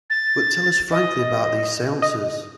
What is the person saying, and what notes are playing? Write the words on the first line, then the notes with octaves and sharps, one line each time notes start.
But tell us frankly about these seances.
A6
D#5
D#5